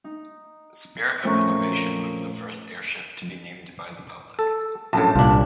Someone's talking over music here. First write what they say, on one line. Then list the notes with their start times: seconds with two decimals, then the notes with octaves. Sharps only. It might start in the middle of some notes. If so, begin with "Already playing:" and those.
"Spirit of Innovation" was the first airship to be named by the public.
0.04 D#4
1.23 F2 A#2 A3 C#4 A#5 C#6
4.39 A4
4.93 A#1 F#2 A2 A5
5.15 C2 A#2 D4 F4